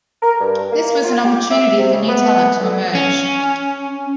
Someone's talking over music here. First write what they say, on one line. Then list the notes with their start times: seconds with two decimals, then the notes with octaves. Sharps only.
This was an opportunity for new talent to emerge.
0.22 A#4
0.41 G2
0.71 A#3
1.04 F4
1.24 G4
1.51 E5
1.78 C3
1.93 C#3
2.09 B3
2.60 D3
2.95 C#4